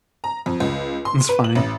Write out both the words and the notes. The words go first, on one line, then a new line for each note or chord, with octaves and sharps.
It's funny.
A#5
F2
C#2
C6
B4
F#7
A1